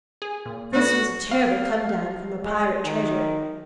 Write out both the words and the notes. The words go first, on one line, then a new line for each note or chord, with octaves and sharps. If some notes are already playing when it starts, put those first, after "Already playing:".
This was a terrible come-down from a pirate treasure.
G#4
A#2
A3 B3 F#4
F5
G#3
D#3